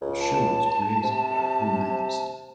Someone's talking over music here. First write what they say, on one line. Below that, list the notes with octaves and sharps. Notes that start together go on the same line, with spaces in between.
The show was created by Paul Mendelson.
C#2
A5
C3